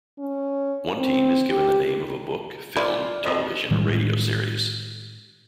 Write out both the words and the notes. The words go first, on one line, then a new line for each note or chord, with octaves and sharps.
One team is given the name of a book, film, television or radio series.
C#4
C4
G4
E4 F4 D5 C6
F2 D#5
A2 D#3 G3 G#3